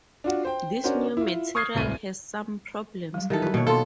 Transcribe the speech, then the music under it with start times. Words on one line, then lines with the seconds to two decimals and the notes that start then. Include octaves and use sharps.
This new material has some problems, though.
0.24 D4 F4 F#4
0.45 C5 G5
0.84 C#4 D4 F#4 A#4 C5
1.17 E4 F4
1.55 C#6 D#6 F6 G#6 C7
1.75 D1 C2 D#7
3.14 F#3 G3
3.30 D#3 E3 G4 A4
3.42 B4
3.54 B2 A#3 C#5
3.67 B3 F4 A4 C6